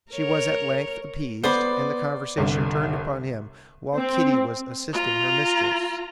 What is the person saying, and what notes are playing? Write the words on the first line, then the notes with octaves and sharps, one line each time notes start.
She was at length appeased, and the conversation turned upon him while Kitty was assisting her mistress.
A#4 C#5
B3 C5 D5 B5
G1 C2
C4
F4 A#5